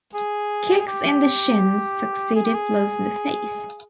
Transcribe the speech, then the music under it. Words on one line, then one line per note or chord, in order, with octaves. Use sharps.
Kicks in the shins succeeded blows in the face.
G#4
G#4
G4
G#4
G4
G#4